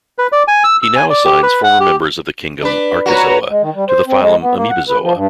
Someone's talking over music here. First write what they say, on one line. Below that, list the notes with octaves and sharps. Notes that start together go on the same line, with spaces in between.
He now assigns former members of the kingdom Archezoa to the phylum Amoebozoa.
B4
D5
G#5
E6
E6
G#5
D5
G4
B4
F#5
G4
D4 B4
F#4 B4 C#5 A#5
G#3
D#3
G3
C5
C4
G#3
B3
A#3
F#5
B4
F3
G2